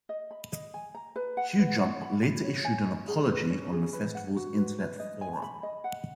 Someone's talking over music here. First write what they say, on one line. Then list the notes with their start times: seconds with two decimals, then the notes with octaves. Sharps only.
Qjump later issued an apology on the festival's Internet forum.
0.09 D#5
0.31 B5
0.52 D#5
0.74 G#5
0.95 A#5
1.16 B4
1.37 F#5
1.59 B4
1.81 F#5
2.02 B5
2.23 B5
2.44 C#5
2.65 G#5
2.86 D#5
3.08 G#4
3.30 B4
3.50 C#4
3.72 G#4
3.93 B4
4.15 F#5
4.36 F#4
4.57 B4
4.78 B4
5.00 D#5
5.21 G#5
5.42 B5
5.63 D#5
5.84 F#5